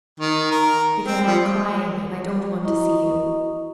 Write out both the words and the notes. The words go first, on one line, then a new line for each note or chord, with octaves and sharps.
"Because I am crying, and I don't want to see you."
D#3
A#4
C4
F3
E4 F#4 D#5 A#5 C#6 D#6